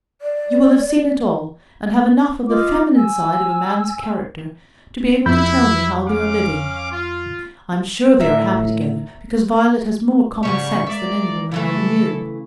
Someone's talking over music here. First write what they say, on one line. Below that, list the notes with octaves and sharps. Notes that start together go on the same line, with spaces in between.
You will have seen it all, and have enough of the feminine side of a man's character to be able to tell me how they are living. I am sure they are happy together, because Violet has more common sense than any woman I ever knew.
D5
F4 D#5 D6
G#5 E6
F2 E4 B5 G6
C#4 F5 D6
F4
A2 A#4 E5
G#2 C#3 G3 C#6
G#3 A#3 D5 E5
C#3 E3 F#3 A3 E4 A4